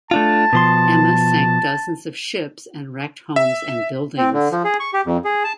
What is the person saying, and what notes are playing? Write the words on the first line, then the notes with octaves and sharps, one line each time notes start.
Emma sank dozens of ships and wrecked homes and buildings.
A3 D4 F4 A5
B2 F3 C6
E5
C4
D3
F3
G#4
C#6
G4
F2
G#4
A5